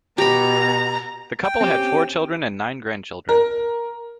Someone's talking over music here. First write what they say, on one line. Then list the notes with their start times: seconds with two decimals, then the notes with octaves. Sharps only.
The couple had four children and nine grandchildren.
0.18 B2 G4 A#5 B5
1.44 G5
1.61 C4 C#4 G4
3.29 A#4